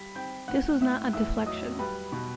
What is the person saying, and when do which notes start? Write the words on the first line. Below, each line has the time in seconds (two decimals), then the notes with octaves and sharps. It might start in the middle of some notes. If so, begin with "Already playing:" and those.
This was not a deflection.
Already playing: G3 B5 B6
0.15 C4 G5 G6
0.48 A2 F#5 F#6
0.81 A2 E5 E6
1.13 E2 E5 E6
1.46 F#3 D#5 D#6
1.79 G3 B4 B5
2.12 B2